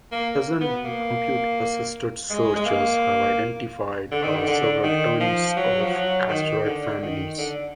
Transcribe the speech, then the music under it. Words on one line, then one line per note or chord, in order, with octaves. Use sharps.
Present day computer-assisted searches have identified several tens of asteroid families.
A#3
B3
A#3
G#3
G#3
A#3
D3
D#3
D3
D3
D#3
F3
F#3
F3
F#3
D#3
D3
D#3
D3